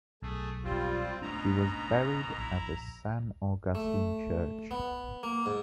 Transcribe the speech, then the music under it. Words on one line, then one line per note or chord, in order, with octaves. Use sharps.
She was buried at the San Agustín church.
B1 A3 G#4
G3 C4 F4
G#2 B2 A3 C#4 D4 A#5
A#1 E4
A3
B3
A#3
G#2